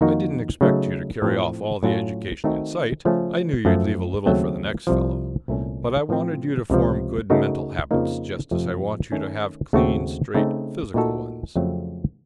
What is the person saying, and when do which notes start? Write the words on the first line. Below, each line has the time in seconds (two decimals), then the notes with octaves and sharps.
I didn't expect you to carry off all the education in sight--I knew you'd leave a little for the next fellow. But I wanted you to form good mental habits, just as I want you to have clean, straight physical ones.
0.01 F2 D#3 A#3 D#4 F#4
0.61 C#3 F#3 A3 D#4
1.22 A2 F3 C4
1.83 A2 F#3 A3 C#4 F4
2.44 D#3 A3 C4 D#4 F#4
3.05 C#3 F3 A3 C#4 A4
3.65 F#2 F3 A3
4.26 D#2 C#3 F#3 A3 C4
4.87 C2 C3 F3
5.48 C2 A#2 A3 C#4
6.09 A2 F3 C4
6.70 C#2 C3 F3
7.30 C#3 A3 D#4 F#4 A#4
7.91 F2 C#3 F3 A#3 D#4
8.51 F2 C3 F3 A3
9.12 D#3 A3 C#4
9.73 D#2 C#3 A3 C4 F#4
10.34 C#3 A3 C4 D#4
10.94 A#2 A3 D#4 F#4 A4
11.56 F2 C#3 F#3 A3 C4